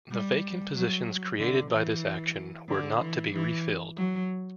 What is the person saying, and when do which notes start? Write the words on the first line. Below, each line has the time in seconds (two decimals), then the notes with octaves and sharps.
The vacant positions created by this action were not to be refilled.
0.10 G3
0.74 F#3
1.39 D3
1.71 E3
2.68 D3
3.01 E3
3.33 E3
3.98 F#3